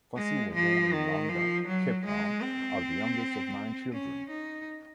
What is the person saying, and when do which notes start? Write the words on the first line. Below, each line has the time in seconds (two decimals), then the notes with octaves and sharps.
Fassie was born in Langa, Cape Town, as the youngest of nine children.
0.17 G#3
0.55 F3
0.92 D#3
1.29 F3
1.67 F#3
2.06 G#3
2.42 C4
3.93 C#4
4.31 D#4